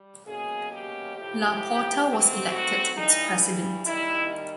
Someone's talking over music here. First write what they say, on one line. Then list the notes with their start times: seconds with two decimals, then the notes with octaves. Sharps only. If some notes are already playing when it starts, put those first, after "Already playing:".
Laporta was elected its president.
Already playing: G3
0.27 B2 F#3 A#3 C#4 G#4
0.71 G4
1.17 A2 F3 A3 G4
2.07 G#2 D#3 F#3 A3 C4
2.50 F#4
2.96 G2 E3 G3 D#4
3.85 D#2 D#3 G3 E4